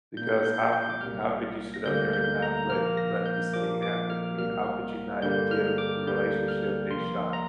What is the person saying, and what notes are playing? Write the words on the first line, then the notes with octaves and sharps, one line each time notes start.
because how could how could you sit up there and not let let this thing happen? I mean, how could you not give the relationship a shot?
A#2 A#3 G6
G6
G6
D6
C2 C3 G3 A#3 F6
A#6
D2 D3 G3 A#3 G6
G6
A#5
A#2 F3 A#3 F6
A#6
G6
A#2 F3 A#3 D6
D6
F6
C2 C3 G3 A#3 F6
G2 D3 G3 A#3 G6
F6
D6
D2 D3 G3 A#3 G6
F6
C2 C3 F3 A#3 C6
A#5